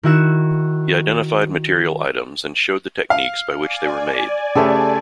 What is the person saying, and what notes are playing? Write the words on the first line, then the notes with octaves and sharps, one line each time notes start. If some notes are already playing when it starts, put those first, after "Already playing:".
He identified material items and showed the techniques by which they were made.
D#3 E4 F#4 E7
F5
D5 G#5
C#3 A3 G4 A4 C5